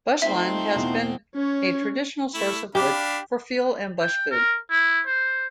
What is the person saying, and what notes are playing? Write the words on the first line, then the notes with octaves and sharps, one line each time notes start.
Bushland has been a traditional source of wood for fuel and bushfood.
A3 C4 D#4 F4 C5 E5
E2 B2
C#4 C#5
A3 E4
D4 G4 F5 B5
G5
A#4
E4
C5